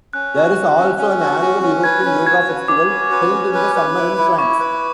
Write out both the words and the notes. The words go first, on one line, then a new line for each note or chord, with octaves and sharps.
There is also an annual European Yoga Festival held in the summer in France.
C#4 F#6
F#4
C#4
C#4
C#4
F#4
C#4
C#4
B4 G#6
C#4
F#4 G#6
B4
C#4 D6
F#4
B4
C#4
B4
B4
E4
E4
E4 C#6
B4